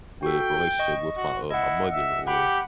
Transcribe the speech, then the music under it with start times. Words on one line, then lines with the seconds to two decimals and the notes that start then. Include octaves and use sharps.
with relationship with my, uh, my mother or
0.23 F#4 A4 G5
0.79 D#5 C#6
1.17 F#4
1.50 E4 D#5 F#5
1.92 E5
2.27 G4 F#5 B5